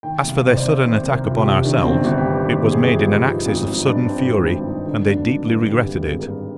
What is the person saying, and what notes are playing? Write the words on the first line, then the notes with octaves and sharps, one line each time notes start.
As for their sudden attack upon ourselves, it was made in an access of sudden fury, and they deeply regretted it.
D#3 G5
C2
F5
C2
C5
D5
C3
D#3 C5
C2
A#4
C2 F4
G4
C3
D#3 D4
G1 C4
D4
G1
G4
G2
D#3 G4
G1
G#4
G1
F4
G4
G2
F3 D#4
G#1 D#4
G#1
D#4
G2 D4
F3 C4
G#1 D4
G#1
G2 D#4
D3 D4
D#4
G#1 D4
G#1 D#4
G2
D3 G4
G#1
G#4
G#1
A#4
G2